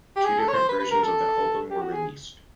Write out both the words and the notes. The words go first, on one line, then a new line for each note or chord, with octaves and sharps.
Two different versions of the album were released.
G4
G#4
A4
C#5
C5
B4
B4
A#4
A4
G4
F#4
G#4